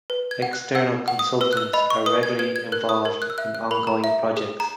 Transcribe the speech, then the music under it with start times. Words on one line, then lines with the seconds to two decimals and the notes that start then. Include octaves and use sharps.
External consultants are regularly involved in ongoing projects.
0.10 B4
0.31 G#6
0.42 F#5
0.53 F#6
0.75 F#5 E6
1.08 F#5
1.19 D#6
1.41 B4 E6
1.53 F#6
1.57 E6
1.73 D#5 B5
1.90 C#6
2.06 B4 D#6
2.23 G#6
2.39 B4 G#6
2.56 G#6
2.72 A#4 F#6
2.89 D#6
3.05 A#4 G#6
3.22 F#6
3.30 E6
3.38 E5 F#6
3.55 F#6
3.71 A#4 B5
3.87 A#5
4.04 E5
4.37 G#4
4.60 A#5